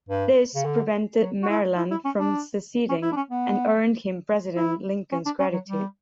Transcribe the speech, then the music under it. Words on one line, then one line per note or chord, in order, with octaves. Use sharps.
This prevented Maryland from seceding, and earned him President Lincoln's gratitude.
G2
C#3
D3
F#3
F#4
E4
E4
E4
C#4
D4
C#4
E4
D4
C#4
B3
E4
C#4
D4
C#4
F#3
G3